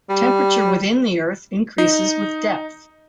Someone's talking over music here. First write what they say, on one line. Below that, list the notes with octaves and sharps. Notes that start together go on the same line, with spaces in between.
Temperature within the Earth increases with depth.
G3
D#4